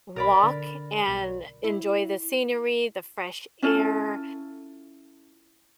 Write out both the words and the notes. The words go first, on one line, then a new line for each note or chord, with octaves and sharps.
walk and enjoy the scenery, the fresh air,
B1 A#4 D5 B5
D3
B1
E4
C#4 E4 F4 A4